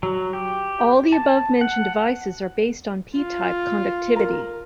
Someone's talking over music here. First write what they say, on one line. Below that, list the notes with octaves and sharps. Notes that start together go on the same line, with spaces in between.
All the above-mentioned devices are based on p-type conductivity.
F#3
G4
A5
F#5
F4
A#4 A#5